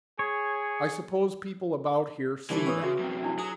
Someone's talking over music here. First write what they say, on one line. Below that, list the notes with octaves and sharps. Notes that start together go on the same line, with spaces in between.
"I suppose people about here see that."
G#4 C#5
C2 E3 D4 G#5
D4 B4 C#5 D#6
C#3 F#4 G#4 E5
F#2 C3
D4 E4
F#3 G#4